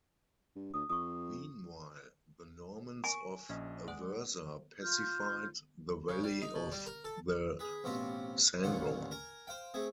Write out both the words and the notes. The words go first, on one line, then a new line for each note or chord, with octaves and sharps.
Meanwhile, the Normans of Aversa pacified the valley of the Sangro.
G2
D2 D#6
F2 C#6 D#6
A#4 G#5 C#6
A#1 C#4 D#5
G#3 D5 F#5
F4 F6 G6
C#3
G3
D#4
B2
G3
A#4
A4
G#4 B4
A1 B2 C4 F4 G4
A1 D#2 A#2 D3 F4 F#5
A#4 G#5 A#5
C5 F5 G5
A3 C4 G#4